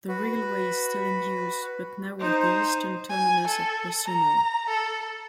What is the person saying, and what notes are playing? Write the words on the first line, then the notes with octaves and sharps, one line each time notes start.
The railway is still in use, but now with the eastern terminus at Pocinho.
F#4 B4
D#4 C5
G#5
A4
A#5
A4